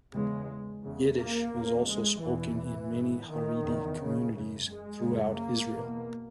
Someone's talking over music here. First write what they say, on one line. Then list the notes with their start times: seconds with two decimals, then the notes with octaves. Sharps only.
Yiddish is also spoken in many Haredi communities throughout Israel.
0.14 E2 C#3 G#3
0.84 E2 C#3
1.18 A#3
1.53 E2 C#3
1.88 G#3
2.23 E2 B2 E3
2.92 G#2
3.27 D#3
3.63 E2 C#3
3.97 C#3
4.33 F#2 C#3
4.67 G#3
5.02 F#2 C#3
5.37 A#3
5.72 E2 B2